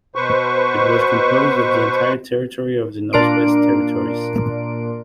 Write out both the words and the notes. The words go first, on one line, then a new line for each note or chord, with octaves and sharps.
It was composed of the entire territory of the Northwest Territories.
B2 B4 C5 C#6
A#2 D4 A#4 C6 D7